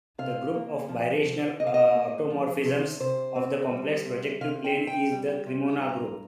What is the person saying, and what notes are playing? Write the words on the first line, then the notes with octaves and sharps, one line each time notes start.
The group of birational automorphisms of the complex projective plane is the Cremona group.
C3 F5
A#3
F3
C3
C3 D#5
F5
D#5
A#3
F3
C3
C3 C5
C4
G3
C3
C3 F5
G5
C4
G5
G3
C3
G2 A#5